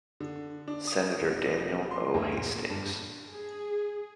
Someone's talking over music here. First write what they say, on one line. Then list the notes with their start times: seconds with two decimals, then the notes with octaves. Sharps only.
Senator Daniel O. Hastings.
0.20 D3
0.68 D4
0.87 D#6
1.21 E1
1.91 C6
2.14 D2
2.37 A#2
2.70 G2
3.31 G#4